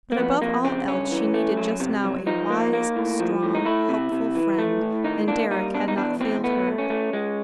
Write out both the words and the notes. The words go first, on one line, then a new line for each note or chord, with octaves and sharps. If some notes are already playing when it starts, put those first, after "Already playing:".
But above all else she needed just now a wise, strong, helpful friend, and Deryck had not failed her.
A#3
F2 B3
F2 A#3
C#3 C4
G2 C#4
E3
A3
F#3
C3
F#3
F3 D#4
A#3
A#3
A2
F3
A2
D#4
A3 E4
C3
C3
E3
A3
A2
D#3 D#4
A#3 D4
G3 D#4
B2 D4
D#4
E2 D4
B2 C4
A3 B3
A3
C#4
A3
G#3